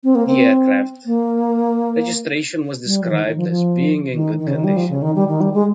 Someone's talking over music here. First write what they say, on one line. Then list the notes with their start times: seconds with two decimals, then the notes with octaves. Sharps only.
The aircraft, registration was described as being in good condition.
0.04 C4
0.15 A#3
0.27 C4
1.06 A#3
2.86 G3
3.03 F3
3.11 D#3
3.23 D#3
3.37 F3
3.48 F3
4.13 D#3
4.38 D#3
4.47 C#3
4.55 D#3
4.64 G3
4.77 F3
4.90 C#3
5.02 D#3
5.15 G3
5.28 D#3
5.41 G3
5.54 G#3